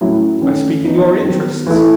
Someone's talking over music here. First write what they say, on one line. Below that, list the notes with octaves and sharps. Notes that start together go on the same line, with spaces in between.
I speak in your interests.
A2 F#3 C#4 E4
D#3 A3 C#4
E3 B3 D#4
D#3 F#3 B3
E3 A3 E4